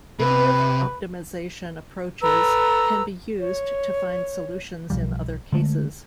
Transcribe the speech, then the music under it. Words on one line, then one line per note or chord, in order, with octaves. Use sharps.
Iterative optimization approaches can be used to find solutions in other cases.
C3 B4
A4 B4 A#5 E6
C#5
B1 F2 F3 G3
D3 G#3 A3